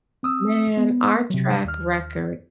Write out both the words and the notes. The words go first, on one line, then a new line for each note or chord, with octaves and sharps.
Man, our track record
C4 D#6 E6
B3
C3 F#3
D#2 F6